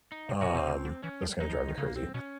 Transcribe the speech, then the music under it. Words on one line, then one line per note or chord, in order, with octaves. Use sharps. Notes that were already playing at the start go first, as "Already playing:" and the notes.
Um, that's gonna drive me crazy.
D#4
C3
B2 F#4
B2 C4
C#3
D3
E3 C#4
F3
F#3 D#4
F3
D#3
C#3 A#3
C4
B2 C#4